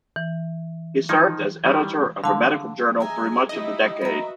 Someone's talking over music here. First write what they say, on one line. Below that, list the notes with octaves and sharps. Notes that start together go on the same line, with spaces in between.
He served as editor of a medical journal through much of the decade.
E3
D#3 F3 D#4 G#6
D#3 E3 G3
D3 F5 A5 C6
G#4 D#5 E5 G#5 A#5
D#4 E4 G4 D#5 E5
F#4 A#4 B4 E5 B5